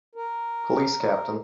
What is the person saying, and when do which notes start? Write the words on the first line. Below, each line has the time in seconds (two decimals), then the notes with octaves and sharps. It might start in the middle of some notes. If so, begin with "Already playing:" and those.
Police Capt.
0.15 A#4